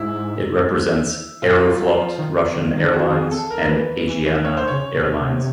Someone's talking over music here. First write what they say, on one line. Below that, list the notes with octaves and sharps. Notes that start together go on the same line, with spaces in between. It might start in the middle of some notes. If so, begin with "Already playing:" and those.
It represents Aeroflot Russian Airlines and Asiana Airlines.
Already playing: G#2 E4
A#2 F4
F#4
F4
F#3
F3
D#3
D#3
D#3
D3
D#3 F#4
G#4
A4
A#4
E3 B4
E3
E3
D#3 C#5
C5
C#3 C#5
B2
C3